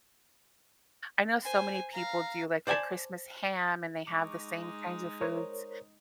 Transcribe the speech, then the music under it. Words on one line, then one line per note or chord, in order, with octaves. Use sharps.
I know so many people do, like, the Christmas ham, and they have the same kinds of foods
C5 G#5
F5 A#5
C5 D5 F#5 G#5 A5
G#3 D#4 C#6 D6
A#4 C5 C#5